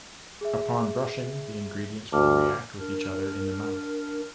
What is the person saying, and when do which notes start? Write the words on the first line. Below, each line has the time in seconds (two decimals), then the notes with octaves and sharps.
Upon brushing, the ingredients will react with each other in the mouth.
0.41 G#4 E5
2.12 D2 A5 D6 F6
2.79 D4 A#4